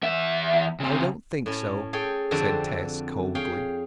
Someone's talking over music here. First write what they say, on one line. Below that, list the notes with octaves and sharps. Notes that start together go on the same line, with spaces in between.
"I don't think so," said Tess coldly.
E2 E5
C#3 C4
A2 C#4
G#4 A4 C#5 G5
F2 D3 C4 F#4 A4
G#4 C#5 F5 G5